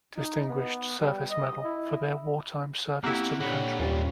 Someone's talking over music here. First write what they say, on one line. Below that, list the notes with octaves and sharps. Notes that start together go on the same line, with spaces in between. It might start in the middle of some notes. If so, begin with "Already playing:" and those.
Distinguished Service Medal for their wartime service to the country.
D#4
B3
G3
D#5
E4
A#3 C4 C#4 E4 G4 F#5
A#2 D3 G4 C#5 F#5 B5
D#2 G#2 G3 C#4 F4